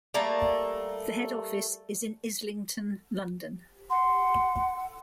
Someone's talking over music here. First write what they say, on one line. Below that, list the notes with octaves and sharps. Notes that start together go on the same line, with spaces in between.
The head office is in Islington, London.
G3 A3 A#3
F#5 C6